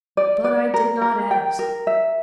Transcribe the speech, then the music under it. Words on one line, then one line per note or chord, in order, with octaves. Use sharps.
'But I did not ask.
D5
D5
A#4
A#4
G5
A#4
E5